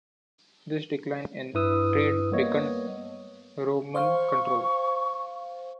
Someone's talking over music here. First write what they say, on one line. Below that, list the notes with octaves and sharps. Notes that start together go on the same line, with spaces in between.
This decline in trade weakened Roman control.
G2 E4 B4 D#6 E6
G3 A#3 B3 C#5 D#5
C5 F5 C#6